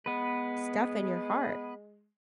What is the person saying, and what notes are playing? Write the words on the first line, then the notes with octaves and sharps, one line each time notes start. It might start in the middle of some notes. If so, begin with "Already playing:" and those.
stuff in your heart.
G#3 B3 B4